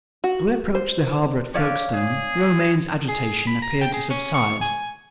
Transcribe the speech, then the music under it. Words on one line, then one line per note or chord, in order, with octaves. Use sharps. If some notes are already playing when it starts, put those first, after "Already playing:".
As we approached the harbor at Folkestone, Romayne's agitation appeared to subside.
F#4
C5
G4 C#5 D5 F5
G#4
G#4
B5
A#5
G5
G#4
C#4
C#6
G#5